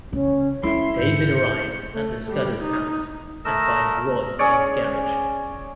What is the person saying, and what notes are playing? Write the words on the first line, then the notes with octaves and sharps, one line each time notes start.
David arrives at the Scudder's house and finds Roy in his garage.
C#3 C#4
C#4 E4 A4 E5 C6
G#2 G6 C#7
A3
G3
D#4
A3 A#4 D#5 E6
C#4 G#4 C#5 D5